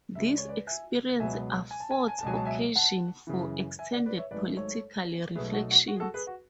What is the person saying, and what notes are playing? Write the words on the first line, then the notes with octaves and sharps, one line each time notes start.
This experience affords occasion for extended political reflections.
C#2 C#3 G#3 E5
D5
C#5
B4 D5
E5 G#5
C#2 B2 F#3 B3 E5 G#5
G#5
A5
G#5
A5
G#5
A5
C#2 B2 F#3 G#5
A5
E5 G#5
F#5 A5
F#2 C#3 E3
E5 G#5
D5 F#5
B4 D5
C#5 E5
G#1 G#2 F#3 A3 B4 D5
A4 C#5
B1 B2 A3 G#4 B4
F#4 A4
F#4
F#4
G#4
F#4 A4
G#4 B4
F#4